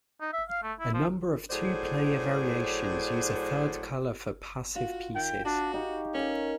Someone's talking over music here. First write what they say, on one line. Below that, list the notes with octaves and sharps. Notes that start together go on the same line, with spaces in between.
A number of two-player variations use a third colour for passive pieces.
D#4
E5
F5
A3
E4
F3
A2 F#3 G#4 C5 D5
F4 F#4
D#3 G5
D4 F#4
D#4 G4 F5 C#6
C#4 A#4 F5